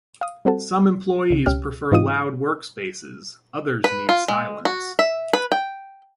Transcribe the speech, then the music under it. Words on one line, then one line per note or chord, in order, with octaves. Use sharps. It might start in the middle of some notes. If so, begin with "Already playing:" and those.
Some employees prefer loud work spaces, others need silence.
F5 D#6
G3 C4 F#4 A4
C2 C#3
C#2 C#4 G4 F6
G#2 E3 D#4 F4 D#6 D#7
B4
F4
G#3
F#4
E5
B4
G5